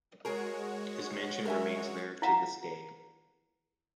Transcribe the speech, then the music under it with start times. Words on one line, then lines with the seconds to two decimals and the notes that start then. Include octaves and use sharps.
His mansion remains there to this day.
0.25 G#3 F#4 G#4 A#4 C#5
1.46 A#4 E5 G#5
2.22 E4 F5 F#5 A#5